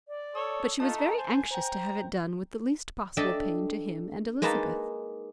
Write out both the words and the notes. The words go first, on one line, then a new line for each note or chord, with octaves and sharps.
But she was very anxious to have it done with the least possible pain to him and Elizabeth.
D5
A4 C#5 D#6
A3 D#4 F4 A5
A#5
C5 G#5
C5 G5 A#5
D4 A4 D#5 E5 G5 A5
G#3 A#3 D#4 B4 A5 A#5